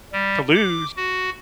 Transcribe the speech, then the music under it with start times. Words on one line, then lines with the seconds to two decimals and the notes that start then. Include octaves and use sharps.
to lose.
0.12 G3
0.54 D6
0.96 F#4